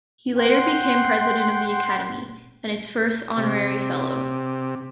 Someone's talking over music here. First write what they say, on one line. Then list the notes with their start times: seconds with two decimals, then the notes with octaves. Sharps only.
He later became President of the academy, and its first honorary fellow.
0.37 F#5 G5 C6
3.37 C3